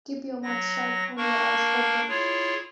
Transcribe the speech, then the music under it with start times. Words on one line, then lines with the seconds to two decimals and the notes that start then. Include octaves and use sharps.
Keep your mouth shut and your eyes open.
0.43 F#3 A#6
1.17 A#3 D4 A#4 C#6
2.08 E4 F4 G#4 C#5